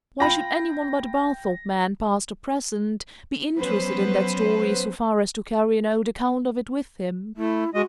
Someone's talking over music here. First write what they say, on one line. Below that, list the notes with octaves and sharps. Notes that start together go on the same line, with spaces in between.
Why should any one but a Barthorpe man, past or present, be interested in that story so far as to carry an old account of it with him?
F4 G5 B5 A#6
F3 F#3 B3 C#4 B4 C5
A3 E4
G#3 F#4 D#5